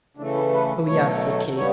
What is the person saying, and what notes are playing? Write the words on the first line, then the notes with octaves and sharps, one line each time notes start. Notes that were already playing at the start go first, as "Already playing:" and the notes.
"Oh, yes," said Kate.
C#3 E3 A3 D4
E4
B4
B2 F#3 A3 C#5
C#3 G3 B3 C#5